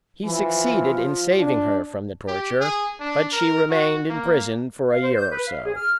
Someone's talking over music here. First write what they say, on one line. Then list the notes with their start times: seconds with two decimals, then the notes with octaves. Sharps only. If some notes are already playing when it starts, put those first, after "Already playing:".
He succeeded in saving her from the torture, but she remained in prison for a year or so.
0.24 E3 F3
1.39 D4
2.28 G4
2.61 G#4
3.00 D4
3.32 A#4
3.70 F#4
4.10 A#3
4.90 F5
5.02 C5
5.15 G6
5.31 B4
5.46 F5
5.64 G#4
5.76 F6